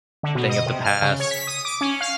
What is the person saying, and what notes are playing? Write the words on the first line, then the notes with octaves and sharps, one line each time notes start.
thing of the past.
D3
B2
D#5
C3
F6
C#3
C#5
B6
D#6
D6
C#4
F5